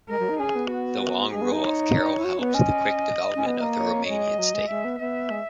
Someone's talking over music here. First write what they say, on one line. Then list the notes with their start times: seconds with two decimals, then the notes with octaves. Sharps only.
The long rule of Carol helped the quick development of the Romanian state.
0.08 G#3 A#4
0.19 F#3
0.29 D#4
0.39 C#4 G#4
0.55 B3
0.70 F#4
1.32 G#3 G#4
1.41 B3
1.52 D#4
1.62 C#5
2.18 E4
2.24 F#4
2.39 B3
2.54 C#4 D#5
3.35 C#4
3.46 B3
3.61 A#3
3.76 C#5
4.07 G#3 D#5
4.38 F#3
4.54 G#3
4.69 G#3 E5
4.84 B3
4.99 B3 E5
5.30 G#3